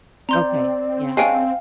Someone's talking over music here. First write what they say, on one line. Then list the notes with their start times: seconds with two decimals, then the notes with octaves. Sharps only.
Okay, yeah.
0.29 C4 D5 A#5 C6 G6
1.17 G#3 C#4 D4 F5 G5 G#5 C7